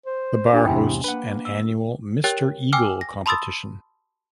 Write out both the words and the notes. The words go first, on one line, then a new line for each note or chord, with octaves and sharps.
The bar hosts an annual Mister Eagle competition.
C5
D4 G4 G#5
E2 G#2 C3 E4 G5 G#5
A#3 B4 F#5
E6
G4 A#4 C#5 G5 F#6 A6
G5 G#5 D6 E6 F6
A#6
A5 B5 C6 D#6 E6 A6